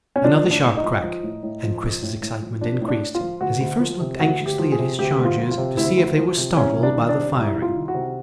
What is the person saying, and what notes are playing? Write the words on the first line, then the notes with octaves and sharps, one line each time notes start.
Another sharp crack, and Chris's excitement increased, as he first looked anxiously at his charges to see if they were startled by the firing.
C#4
F3 D4
A2
D4
A2
D#4
F3
F3
A2
A2
F3
F3
A2
A2
F3
F3 D4
A2
D4
A2
F4
F3
D2 F#4
D2
F3
C3
D2 F#4
D2
G4
F3
G#4
C3
D2 G4
D2
F4
F3
F4
C3
D2 E4
D2
F3
C3
C2 C#4
C2
D4
D#3
D4
C3
C2 E4
C2
F4
D#3
F#4
C3